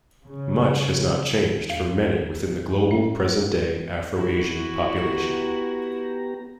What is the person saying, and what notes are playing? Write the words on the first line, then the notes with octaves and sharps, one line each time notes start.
Much has not changed for many within the global, present-day, Afro-Asian population.
C#3
E2
C#4
E4 F#4
B3 G4 A#5